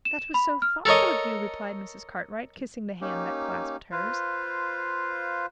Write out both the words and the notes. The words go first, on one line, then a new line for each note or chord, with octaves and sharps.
"That was so thoughtful of you!" replied Mrs. Cartwright, kissing the hand that clasped hers.
E7
B5
F6
A4 A#4 C#5 D#5
A#3 C#4 D#4 G4
F4 B4 C5 F5